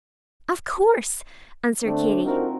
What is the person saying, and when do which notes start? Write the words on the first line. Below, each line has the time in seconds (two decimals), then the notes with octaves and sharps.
"Of course," answered Katy.
1.84 D3 A3 C4 D4
2.24 C4 D#4 F4 F#4 A#4